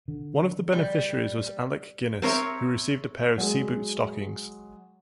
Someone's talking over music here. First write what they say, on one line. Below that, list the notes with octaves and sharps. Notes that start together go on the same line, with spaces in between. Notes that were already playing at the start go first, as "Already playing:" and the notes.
One of the beneficiaries was Alec Guinness, who received a pair of seaboot stockings.
D3
G3
C4 A#4 C#5 E5
F#3 G#3 G#4